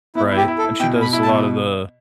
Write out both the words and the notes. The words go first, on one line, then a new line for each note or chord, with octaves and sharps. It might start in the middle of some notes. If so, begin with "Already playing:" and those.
Right. And she does a lot of the
B3 E4
E4
G4
E4
A4
E4
B2 G5
B2
B5
E4
A5
B2